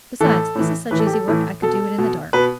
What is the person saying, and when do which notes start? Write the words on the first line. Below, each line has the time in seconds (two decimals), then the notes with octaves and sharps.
"Besides, this is such easy work I could do it in the dark."
0.21 A2 E3 A4
0.55 A2 E3
0.91 A2 E3 B4
0.99 A4
1.07 G4
1.13 A4
1.28 A2 E3
1.62 B2 A4
1.98 B2
2.33 B2 B4